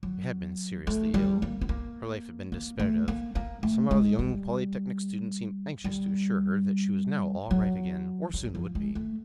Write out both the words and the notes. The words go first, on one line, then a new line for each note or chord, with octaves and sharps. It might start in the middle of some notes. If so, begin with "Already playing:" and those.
She had been seriously ill; her life had been despaired of; and somehow the young Polytechnic student seemed anxious to assure her that she was now all right again, or soon would be.
F#3
A3
G3
A#3
B3
A#3
A#3
A3
A#3
A#3
A3
G#3
G3
G3
F#3
F#3
F3
G#3
A3